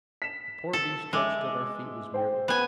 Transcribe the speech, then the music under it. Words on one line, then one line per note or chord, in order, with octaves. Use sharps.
The poor beast stretched at our feet was weary.
B6 E7
A4
G#3 E5 D6 E6
C5 G5
B3 G#5